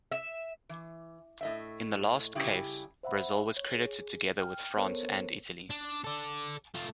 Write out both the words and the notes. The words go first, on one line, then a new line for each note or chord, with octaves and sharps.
In the last case, Brazil was credited together with France and Italy.
E5
E3
A2 D#5 E5
C#3 G3 E4 G4
C5 E5 F#5 B5
C#5
G#4
G5 F6
B3 A4 A#4 C5 C#5
D4
A4 D5
A3 F4